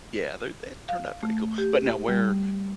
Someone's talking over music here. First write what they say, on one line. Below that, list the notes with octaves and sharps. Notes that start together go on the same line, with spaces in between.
Yeah, they're they had turned out pretty cool. But now where
F5
A3
G4
G3